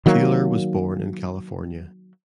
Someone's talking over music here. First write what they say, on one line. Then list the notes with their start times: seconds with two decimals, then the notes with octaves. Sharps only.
Taylor was born in California.
0.06 D#3 F#3 A#3